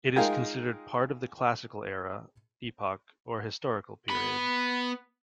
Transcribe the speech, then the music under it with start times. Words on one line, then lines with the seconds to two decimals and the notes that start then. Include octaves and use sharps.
It is considered part of the Classical era, epoch, or historical period.
0.16 G#3 D#4 F4 G#4 A#4 G5
4.09 B3 B5